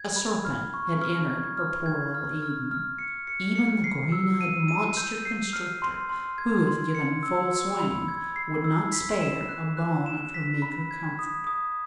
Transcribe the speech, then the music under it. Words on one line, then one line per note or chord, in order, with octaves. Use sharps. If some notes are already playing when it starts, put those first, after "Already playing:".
A serpent had entered her poor little Eden--even the green-eyed monster constrictor, who, if given full swing, would not spare a bone of her meager comfort.
Already playing: G#6
B5
F6
C#6
F6
G#6
F6
G#6
F6
F6
F6
C#7
C#7
C#7
C7
E6
D#7
D#7
G6
C7
F6
C6
C6
G#6
C6
C#7
E6
E6
B5
G#6
C7
E6
B6
E7
F#6
F#6
E7
B6
B5
G#6
D#6
D#6